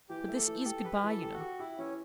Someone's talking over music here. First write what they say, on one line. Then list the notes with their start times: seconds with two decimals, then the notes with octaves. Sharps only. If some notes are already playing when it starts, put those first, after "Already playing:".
But this IS good-bye, you know.
0.09 E3 G4
0.28 A3
0.34 A4
0.47 E3
0.60 A4
0.65 G4
0.85 G4 B4
1.03 E3
1.09 A4
1.22 G4
1.34 F#4
1.40 G4
1.59 E4 G4
1.78 E3 C#4